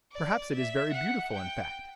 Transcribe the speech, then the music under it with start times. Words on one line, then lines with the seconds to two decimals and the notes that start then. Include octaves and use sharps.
Perhaps it is very beautiful, in fact.
0.12 D5
0.53 E5
0.93 F#5
1.34 G5